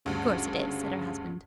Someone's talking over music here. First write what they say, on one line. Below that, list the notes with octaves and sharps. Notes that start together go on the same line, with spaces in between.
"Course it is!" said her husband.
D2 G2 C#3